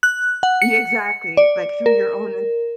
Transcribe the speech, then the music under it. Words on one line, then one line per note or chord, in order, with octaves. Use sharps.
Yeah, exactly, like, through your own
F#6
F#5
C#7
D5
A#4